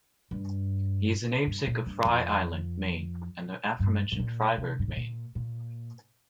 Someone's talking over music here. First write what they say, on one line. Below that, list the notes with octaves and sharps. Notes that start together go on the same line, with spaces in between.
He is the namesake of Frye Island, Maine, and the aforementioned Fryeburg, Maine.
G2
G2
A#2
G2
F2
G2
A2
A#2
C3
G2
A2
A#2
A#2